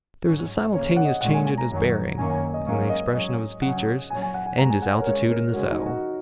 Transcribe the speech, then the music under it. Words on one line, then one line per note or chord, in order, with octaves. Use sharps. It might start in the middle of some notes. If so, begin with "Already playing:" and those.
There was a simultaneous change in his bearing--in the expression of his features--and his attitude in the saddle.
G#2 F#3 C#4
C#3 A#3 C#4 C#5
F#5
D#5
A#2 G#3 C#4 F#5
G#5
G#5
A#5
F#2 D#3 F#3
F#2 D#3 F#3 A#3 C#4 G#5
G#5
D#5
G#2 F#3 A#3 C#4
D#5
G#2 F#3 C#4 D#5
C#3 F#3 C#4 F#5
A#2 F#3 C#4 G#5
G#5
F#5
G#5
G#2 G#3 C#4 A#5
G#5
F#5
C#5
A#4
C#3 G#3 C#4 C#5
A#4
C#3 G#3 C#4 F#4
D#4
F#4